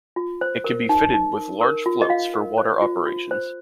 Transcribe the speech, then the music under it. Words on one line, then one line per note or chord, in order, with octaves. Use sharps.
It can be fitted with large floats for water operations.
F4
C5
A#4
D#4
D#4
A#4
A#4
F4
D#5
F4 F5
A#4
C5
F4
F4
C5